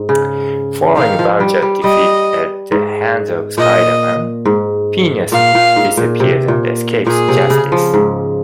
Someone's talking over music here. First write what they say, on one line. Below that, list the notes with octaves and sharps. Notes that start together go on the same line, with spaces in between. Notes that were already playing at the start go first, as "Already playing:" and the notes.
Following Vulture's defeat at the hands of Spider-Man, Phineas disappears and escapes justice.
Already playing: G#2
C#3
D#3 F5
F3
G3
G3
G3 D#5
G#2
A#2 D#5
G#2
A#2 F5
A#2
G#2
A#2
C3
A#2
A#2 G#4
C3
C#3
F3
G#2